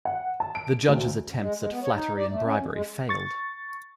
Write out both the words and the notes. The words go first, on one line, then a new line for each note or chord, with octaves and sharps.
The judge's attempts at flattery and bribery failed.
F#5
A5
D7
D2
F#2
G#3
G#3
B3
C#5
D#4
D5
A3
C#4
F2
G#3
C#6 A6